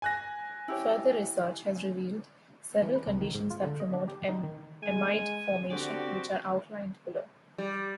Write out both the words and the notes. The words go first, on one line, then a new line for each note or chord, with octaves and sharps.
Further research has revealed several conditions that promote amide formation, which are outlined below.
G#5 F#6 A#6
E4 G4 C#5
E3
B4
C2
D#3
G#2
F4
D3
D#5
D4
G4
D#4
D#3
G#3 G#5
D3 C4 F#4 G4 D5
G3